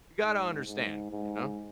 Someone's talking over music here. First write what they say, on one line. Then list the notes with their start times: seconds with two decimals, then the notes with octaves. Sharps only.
you gotta understand," you know?
0.22 G#2
0.67 G#2
1.11 G#2